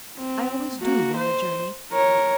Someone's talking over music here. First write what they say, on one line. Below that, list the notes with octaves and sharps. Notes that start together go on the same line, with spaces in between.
I always do, on a journey.
C4
A#3 F#4
C5
A#4 C#5